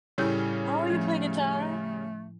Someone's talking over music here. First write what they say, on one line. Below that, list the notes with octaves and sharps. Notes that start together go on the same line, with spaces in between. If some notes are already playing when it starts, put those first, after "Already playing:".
Oh, you play guitar?
A2 C#3 G3 C#4 E4 G6
F3 A3